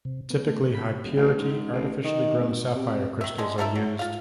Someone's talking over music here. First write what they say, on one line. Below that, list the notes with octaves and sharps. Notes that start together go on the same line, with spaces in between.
Typically, high-purity artificially grown sapphire crystals are used.
C3
B3
A3
C3
B5
D#1
A1
G#2
A1
D#3
G#1
C3
D#3 E5
D3 G#3
F4 A4 A#4 E5
F#3
F4 F5